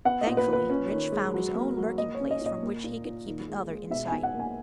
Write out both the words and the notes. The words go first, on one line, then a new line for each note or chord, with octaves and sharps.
Thankfully Rynch found his own lurking place from which he could keep the other in sight.
B3 F#5
D#5
A#2
B4
A#2
B4
C#4
D#3
G#3
F#3
A#3
F#3
A#3 D#5
C#5
C#4
D#5
A#2 D#5
A#3
A#2
A#2
D#3
G#3
G#3
B2 E5
B2 G#5
F#5
A#3
G#5